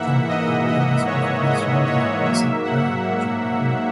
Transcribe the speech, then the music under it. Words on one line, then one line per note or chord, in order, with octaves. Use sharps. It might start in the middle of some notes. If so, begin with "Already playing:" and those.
Generally they do this with at least one other person, very occasionally a man.
Already playing: G#2 E3 A#3 E5 F#5
D#5
D#5
C#5
D#5
C#5
G#2 F#3 A#3 E5
F#5